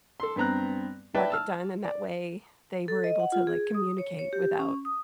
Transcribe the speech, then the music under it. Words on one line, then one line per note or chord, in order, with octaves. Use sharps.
mark it done, and that way, they were able to, like, communicate without
A4 C6
G2 B3 C4 A#5 F#6
B4 D5 E5 G5 A5
A5 E6 F6
D5
A4
D#5
F#5
F4
G#4
D#6
C#5
C#5
G4
C#4
D#6